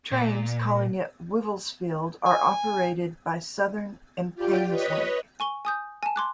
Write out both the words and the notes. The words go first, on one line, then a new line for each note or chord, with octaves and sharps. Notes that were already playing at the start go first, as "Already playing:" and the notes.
Trains calling at Wivelsfield are operated by Southern and Thameslink.
A#2
G#5
F4 G4 D5 G5
B4 C#5 D#5 B5
G#5 C#6 G7
G#5 D#6 G6
G#5 A5
C6 D6 F#6